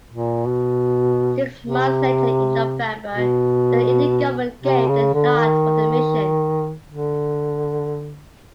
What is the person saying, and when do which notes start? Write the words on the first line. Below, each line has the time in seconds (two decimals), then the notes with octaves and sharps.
Six months later, in November, the Indian government gave the nod for the mission.
0.10 A#2
0.47 B2
1.61 C3
3.12 B2
4.63 C3
4.88 C#3
5.13 D3
5.38 D#3
6.89 D3